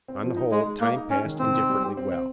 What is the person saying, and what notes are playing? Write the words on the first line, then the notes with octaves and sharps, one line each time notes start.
On the whole, time passed indifferently well.
C4
F3
D#4
G#3 D#4
G#3
G#3 A#3
D#4
G#3 C#4
D#3
C3 C4
D#4
G3
G4
C4
C4